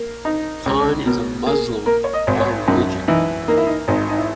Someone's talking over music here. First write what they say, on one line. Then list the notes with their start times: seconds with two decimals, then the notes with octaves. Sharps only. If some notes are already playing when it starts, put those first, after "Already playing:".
Khan is a Muslim by religion.
Already playing: A#3
0.25 D#4
0.66 C#2
1.06 B2 A#4
1.46 A#3 G#4
1.86 A#3 A#4
2.04 C#5
2.13 D#5
2.27 G#1
2.40 C#5
2.67 F#2 D#4
3.08 E3 D#4
3.48 A#3 D#4
3.58 E4
3.67 D#4
3.88 G#1 D#4
4.09 D#4
4.18 E4